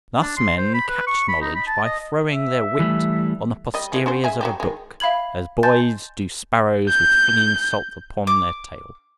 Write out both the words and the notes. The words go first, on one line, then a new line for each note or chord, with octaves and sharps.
Thus men catch knowledge by throwing their wit on the posteriors of a book, as boys do sparrows with flinging salt upon their tails.
D4
C6
C5
B5
B4
C#6
B5
D#4
B5
A5
D#5
E5
E3 G3 A3
G3 D#5
E3 G#3 C#4
C#4 F#4 C5
G#3 G#4 E5
F#3 F#4 G4
D#3 G#3
E5 F5 B5 G#6 F#7
D#5 G#5 A5 C6 G6 A6
G6
D6